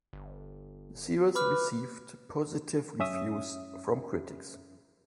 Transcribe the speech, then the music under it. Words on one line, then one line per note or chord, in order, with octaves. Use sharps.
The series receive positive reviews from critics.
G1
B4 B5 D6 F6
F#2 C#4 E5 D#6